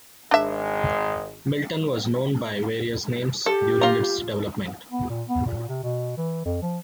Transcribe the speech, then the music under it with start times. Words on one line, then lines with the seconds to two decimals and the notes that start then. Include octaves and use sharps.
Milton was known by various names during its development.
0.31 G#1 G#3 D4 E5
3.46 G4 A4
3.81 F4 A#5
4.91 B3
5.09 A#2
5.29 B3
5.46 A#2
5.69 C3
5.83 B2
6.17 E3
6.46 F2
6.62 F3